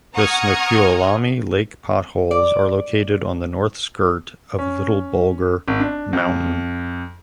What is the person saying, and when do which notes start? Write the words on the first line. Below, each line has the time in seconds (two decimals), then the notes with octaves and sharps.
The Snoqualmie Lake Potholes are located on the north skirt of Little Bulger mountain.
0.14 F#5 A#5 C#6 D#6 F6 G#6
2.31 D5
4.59 C#4
5.68 G#1
5.80 D4
6.13 F2